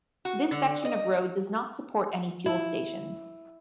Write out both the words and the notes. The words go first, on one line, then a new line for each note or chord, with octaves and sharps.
This section of road does not support any fuel stations.
F#4
D3
D#5
E4